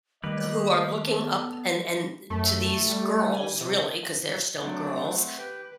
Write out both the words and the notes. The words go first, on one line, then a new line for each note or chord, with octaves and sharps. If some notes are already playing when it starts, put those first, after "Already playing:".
who are looking up and and to these girls, really, 'cause they're still girls,
D#3 G3 A3 A#3 G4 B4 D#5
B3 A4
F#2 A3
G3
G#5
C3
F#3 A3 C4 D4 F#5
G4 B4 G5